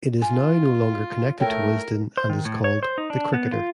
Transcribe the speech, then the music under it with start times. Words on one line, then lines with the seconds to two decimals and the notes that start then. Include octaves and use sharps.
It is now no longer connected to Wisden and is called "The Cricketer".
0.22 F4 G#5
1.40 A3 E4 A4 A#4 C#5 G5
2.17 C5
2.29 D#3
2.45 A2
2.64 C#5
2.83 C5
2.98 D#4
3.10 D4
3.34 B3
3.52 F4